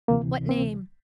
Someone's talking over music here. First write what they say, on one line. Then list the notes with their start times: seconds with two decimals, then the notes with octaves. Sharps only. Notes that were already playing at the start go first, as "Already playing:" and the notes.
What name?
0.08 D2 C3 E3 A#3
0.49 C4